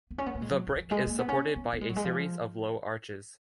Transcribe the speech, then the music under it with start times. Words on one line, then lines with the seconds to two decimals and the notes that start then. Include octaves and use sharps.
The brick is supported by a series of low arches.
0.11 B3
0.18 C#4
0.26 B3
0.35 A#3
0.42 G#3
0.51 F#3
0.67 D#3
0.76 F3
0.91 G#3
1.07 A#3
1.19 B3
1.28 C#4
1.56 B3
1.73 B3
1.81 G#3
1.89 F#3
1.96 G#3
2.04 F3